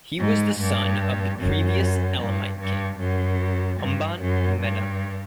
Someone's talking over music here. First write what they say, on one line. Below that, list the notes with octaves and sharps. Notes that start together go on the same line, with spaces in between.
He was the son of the previous Elamite king, Humban-Numena.
G#2
G2
F#2
G2
G2
F#2
G2
F#2
G2